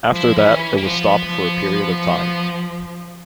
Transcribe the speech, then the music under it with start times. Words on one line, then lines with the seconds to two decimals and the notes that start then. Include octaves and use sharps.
After that, it was stopped for a period of time.
0.09 F3
0.16 E4
0.38 E3 C#4
0.78 A#3
0.85 F3 B3
1.31 F3